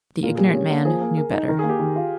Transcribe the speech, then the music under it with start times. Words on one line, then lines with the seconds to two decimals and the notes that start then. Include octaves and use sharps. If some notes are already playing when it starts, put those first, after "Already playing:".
The ignorant man knew better.
0.23 A#2 A#4
0.35 G3 G#4
0.47 A#4
0.54 C#4
0.70 A#3
0.85 F3 G#4
1.01 A#3
1.17 A#4
1.33 D#4
1.49 D#3 A#4
1.59 A#3 G#4
1.69 G4
1.79 D#3
1.96 F4